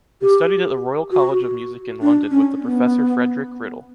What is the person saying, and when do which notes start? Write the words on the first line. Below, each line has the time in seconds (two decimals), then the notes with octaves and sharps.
They studied at the Royal College of Music in London with the professor Frederick Riddle.
0.22 G4
1.12 F#4
2.01 D4
2.31 C#4
2.61 B3